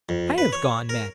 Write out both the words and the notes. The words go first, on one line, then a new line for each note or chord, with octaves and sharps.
I have gone mad....
F2
B4
C#5
A#4